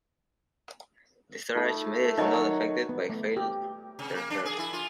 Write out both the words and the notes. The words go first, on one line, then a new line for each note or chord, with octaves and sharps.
The storage media is not affected by failed transfers.
A3 D#4 F4 A4
D#3 F#3 D#4 C#5 D#5
B3
A3
G4
C3
A#3
D4
G#4
E4
F4